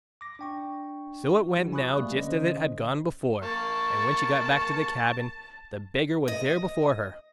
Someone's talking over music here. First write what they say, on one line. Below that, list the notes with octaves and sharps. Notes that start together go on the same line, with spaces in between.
So it went now just as it had gone before, and when she got back to the cabin, the beggar was there before her.
D6 A#6
D4 G5 C#6
F3 G3 E4 F#4
G#5 B5 C#6 D#6 F#6
G3 A3 A#3 D5
D3 C#4 C5 D#5
A#3 A5 C#6
D#5